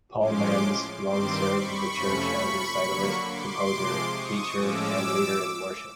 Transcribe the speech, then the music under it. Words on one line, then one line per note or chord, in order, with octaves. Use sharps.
Paul Manz long served the church as recitalist, composer, teacher and leader in worship.
A2 F3 G#3 C#4 C6 D6
G2 D#3 G3 C4 C6 D6
B5 C#6
F2 C3 F3 A3 C#4
D3 F#3 A#3
C6 D6
C3 F3 G#3
C#6 D#6
A2 F3 G#3 C#4 D6 E6